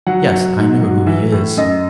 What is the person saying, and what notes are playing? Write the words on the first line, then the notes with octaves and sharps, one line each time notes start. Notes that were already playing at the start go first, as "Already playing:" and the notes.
"Yes; I know who he is."
F#3 F#5
F#3
G#2
F#3
E3 E5
A2
F#2 D#5